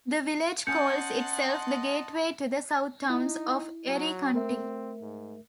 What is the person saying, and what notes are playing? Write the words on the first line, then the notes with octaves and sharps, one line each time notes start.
The village calls itself the "Gateway to the Southtowns" of Erie County.
C#4 D#5 F#5 G#5 A5 C6 G6 C#7
D#4 E4
F#3
A3 C4 A#4 E5
G#2